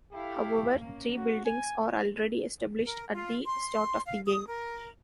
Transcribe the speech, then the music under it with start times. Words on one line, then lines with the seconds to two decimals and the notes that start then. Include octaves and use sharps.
However, three buildings are already established at the start of the game.
0.13 E4 G4 A4 F5
0.78 A#3 C#4
1.15 F#4
1.45 G#5
2.85 A#4
3.13 F4
3.44 C6
4.06 F5
4.25 D#6
4.47 A#4